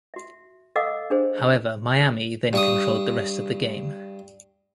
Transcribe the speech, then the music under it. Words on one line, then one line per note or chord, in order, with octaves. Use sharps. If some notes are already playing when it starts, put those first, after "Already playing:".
However, Miami then controlled the rest of the game.
F#4 E5
A4 D#5 F5 F#5 D6 E6
D4 G#4 C5
G2 C#6 D#6